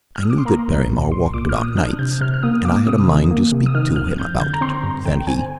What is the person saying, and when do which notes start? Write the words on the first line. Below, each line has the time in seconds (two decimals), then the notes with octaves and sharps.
"I knew that Barrymore walked about nights, and I had a mind to speak to him about it," said he.
0.15 F6
0.23 D#6
0.30 D6
0.38 C6
0.45 A#3 A#5
0.68 C2
0.90 A#2
1.11 C2 C6
1.33 A#2 D6
1.49 F6
1.56 A#2 D#6
1.77 D4 F6
1.99 C3 G6
2.21 C3 F6
2.34 F6
2.43 A#3 D#6
2.65 A#3 D6
2.87 C3 D#6
3.08 D#3
3.31 A#3
3.52 C3
3.66 D#6
3.74 D#3 F6
3.96 F2 F6
4.18 F2 G6
4.40 D3 G6
4.53 A#5
4.61 C4 C6
4.83 G2 A#5
5.05 D3 G5
5.27 C4 G#5